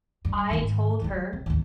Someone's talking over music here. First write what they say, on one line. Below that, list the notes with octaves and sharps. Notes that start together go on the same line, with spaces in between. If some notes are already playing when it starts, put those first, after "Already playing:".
I told her
G2
G#2 D#3
F#3 G#3
C3
A1 D#2